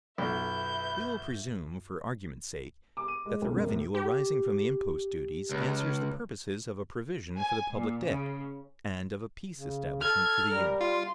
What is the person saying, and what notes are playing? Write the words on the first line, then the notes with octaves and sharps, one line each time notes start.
We will presume, for argument's sake, that the revenue arising from the impost duties answers the purposes of a provision for the public debt and of a peace establishment for the Union.
B1 F#2 F4 A4 B4 E5 G6
D6
D#7
G#3
B1
F#2
A2
G4
C#2
G#5
A#2
C#3
C#3
A4 F6 G#6
G3 A#4
F4 C6